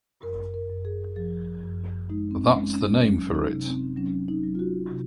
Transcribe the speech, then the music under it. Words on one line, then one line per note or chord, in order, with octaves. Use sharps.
That's the name for it.
F#2 A#4
A#4
F#2
G#4
F3 G#4
F#2
G#3 D#4
C4
C#4
G#3
C#4
F#3 C#4
D#4
C3
C4
F#3 C#4
D#4
F#3
F4
F#4
C3